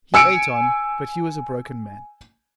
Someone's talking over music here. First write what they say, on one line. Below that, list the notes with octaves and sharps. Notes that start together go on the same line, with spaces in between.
He ate on, but he was a broken man.
G#5 E6 C#7 D7